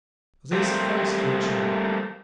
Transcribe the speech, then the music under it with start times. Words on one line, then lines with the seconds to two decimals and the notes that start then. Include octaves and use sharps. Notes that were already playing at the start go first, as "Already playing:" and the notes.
They sufficed to each other.
0.52 G3 A3 A#3 C4 G4 C5